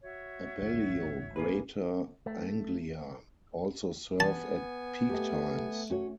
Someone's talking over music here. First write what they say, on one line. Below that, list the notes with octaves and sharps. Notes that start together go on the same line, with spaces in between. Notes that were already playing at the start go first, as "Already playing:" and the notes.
Abellio Greater Anglia also serve at peak times.
F#4 C#5 E5
A1 D2 G#2
A#3 G#4 B4
A3
B3 G#5 A5
A3 G4 A4 D#5
C#4 F#4 C#5